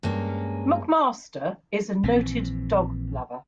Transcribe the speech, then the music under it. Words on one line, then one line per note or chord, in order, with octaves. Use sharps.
McMaster is a noted dog lover.
G2 G#3 A#3 C#4
A#1 E3 C4